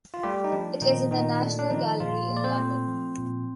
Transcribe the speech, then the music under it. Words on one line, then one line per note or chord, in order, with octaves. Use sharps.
It is in the National Gallery in London.
F4
G3 A3 G4
D#4
F3 D4
A#2 D#3 D#4
A#2 D#3 D#4
A3 D4
D4
D#3 F3 D#4
A#2 F3 F4
A#2
D5
C4 C5
A3
F3
A#2